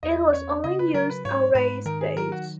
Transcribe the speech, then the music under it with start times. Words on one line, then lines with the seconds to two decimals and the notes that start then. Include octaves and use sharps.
It was only used on race days.
0.03 E2 D#5
0.33 C#4 C#5
0.64 C#3 D#5
0.79 B4
0.94 F#3 A#4
1.10 B4
1.25 G#2 C#5
1.55 G#2 B4
1.85 D#3 A#4
2.01 G#4
2.16 F#3 A#4
2.32 F#4